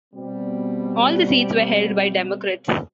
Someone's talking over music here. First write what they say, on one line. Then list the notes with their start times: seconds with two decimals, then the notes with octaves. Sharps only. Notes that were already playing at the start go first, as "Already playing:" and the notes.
All the seats were held by Democrats.
0.14 B2 G3 C4